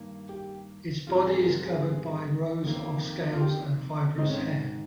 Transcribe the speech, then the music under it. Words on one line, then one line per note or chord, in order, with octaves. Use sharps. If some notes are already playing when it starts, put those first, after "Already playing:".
Its body is covered by rows of scales and fibrous hair.
Already playing: G2 D#3 A#3
G4
G#2 G3 C4 F4
G#4
G#4
A#4
G#4
F2 D#3 A#3
F4
G4
G#2 D#3 G#3 C4 D#4
C#4
C4